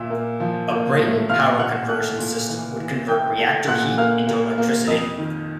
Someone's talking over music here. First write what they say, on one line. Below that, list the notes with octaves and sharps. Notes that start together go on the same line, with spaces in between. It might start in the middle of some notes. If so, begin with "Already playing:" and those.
A Brayton power conversion system would convert reactor heat into electricity.
Already playing: A#2 E5 E6
A#3
F3
A#3
A2
A#2 F5 F6
A#2 F#5 F#6
A3 F#5 F#6
A#2
E3
E3
E3 G5 G6
A3
A#2 F#5 F#6
A#3 F5 F6
A#3
A#3
F2 D#5 D#6
D#3